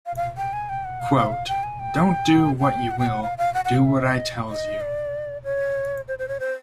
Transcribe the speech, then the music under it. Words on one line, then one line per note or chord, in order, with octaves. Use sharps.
Quote: Don't do what you will, do what I tells you.
F5
F5
G5
G#5
G5
F#5
F5
F5
E5
F5
G5
G#5
G5
G5
F#5
G5
F#5
F5
F5
F#5
F#5
F5
E5
D#5
D#5
D5
C#5
C5
C5
C#5
C5